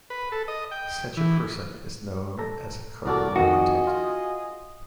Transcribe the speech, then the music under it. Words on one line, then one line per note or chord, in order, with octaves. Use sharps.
Such a person is known as a "Cardinal Protector".
B4
A4
D#5
G5
E3
A4 A#5
C2 F#4 A4 A#4 D5
F2 D#3 F#4 G#4 D#5 A#5
F4